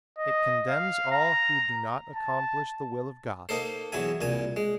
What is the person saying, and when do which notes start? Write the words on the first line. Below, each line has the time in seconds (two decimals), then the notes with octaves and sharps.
It condemns all who do not accomplish the will of God.
0.18 D#5
0.69 F5
1.11 A#5
2.16 A5
3.49 A#3 D#4 A4 C5
3.92 E2 F#3 E4 G#5
4.21 C2 A#2 G#5
4.56 G#3